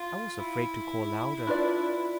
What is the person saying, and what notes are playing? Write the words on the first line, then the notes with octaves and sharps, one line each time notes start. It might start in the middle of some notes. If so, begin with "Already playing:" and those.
I was afraid to call louder.
Already playing: F4
E4
D4 F4 B4 D5